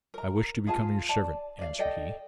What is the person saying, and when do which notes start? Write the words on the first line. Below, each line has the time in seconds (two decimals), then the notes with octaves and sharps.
'I wish to become your servant,' answered he.
0.14 A#4 A#5
0.67 F4 G#4 G#5 A5
1.09 D5 A5
1.59 D5 F5
1.79 A4 D5 D#5 G5